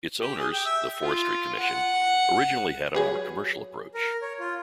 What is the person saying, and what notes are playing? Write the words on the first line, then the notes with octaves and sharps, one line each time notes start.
Its owners, the Forestry Commission, originally had a more commercial approach.
G4
G#4
G5
E5
F4
F#5
F#3 G#4 B4
A#4
C#5
F4